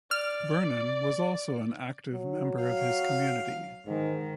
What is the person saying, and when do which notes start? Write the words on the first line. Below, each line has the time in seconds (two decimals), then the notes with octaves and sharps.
Vernon was also an active member of his community.
0.11 D5 F6
2.13 F#3
2.63 F5
3.86 G#2 D#3